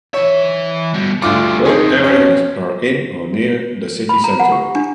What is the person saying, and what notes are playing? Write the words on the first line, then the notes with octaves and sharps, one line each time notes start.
Both areas are in or near the city centre.
E3 C#5 E5
G2 B2
D2 G3 F4 F#4 D6
F2 D#4 G#4
C#4
B5
A#5
F#5
G4
D4